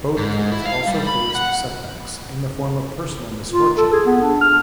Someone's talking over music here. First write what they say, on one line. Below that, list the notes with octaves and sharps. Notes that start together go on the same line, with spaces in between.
Both teams also faced set backs in the form of personal misfortune.
G#2
E4
F5
G3
B5
F#5
F4
A4
G#4
B3
D4
F6